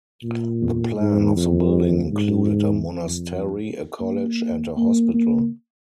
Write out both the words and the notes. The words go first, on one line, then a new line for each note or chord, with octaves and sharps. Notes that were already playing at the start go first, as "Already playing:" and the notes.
The plan of the building included a monastery, a college, and a hospital.
A#2
G#2
F2
G#2
F2
A#3
A#3
A#3